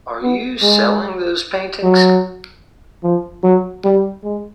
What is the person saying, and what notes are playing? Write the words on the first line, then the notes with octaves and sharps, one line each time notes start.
Are you selling those paintings?
B3
G#3
F#3
F3
F#3
G3
G#3